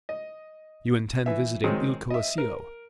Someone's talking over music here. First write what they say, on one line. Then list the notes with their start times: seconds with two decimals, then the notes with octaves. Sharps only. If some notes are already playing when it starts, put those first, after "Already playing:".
"You intend visiting Il Colosseo."
0.09 D#5
1.26 E3 E5
1.64 D#3 F#3 G#3 C4
2.10 D#5 E5
2.38 A#4